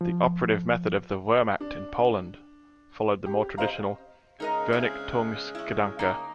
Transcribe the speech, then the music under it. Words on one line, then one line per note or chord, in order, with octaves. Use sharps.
The operative method of the Wehrmacht in Poland followed the more traditional "Vernichtungsgedanke".
F3
D4
G4
C5 D#5 F5 A#5
C#3 G#3 D#4 A#4 D#5
C4 E4 G#4
C#4 E4
A#3 D#4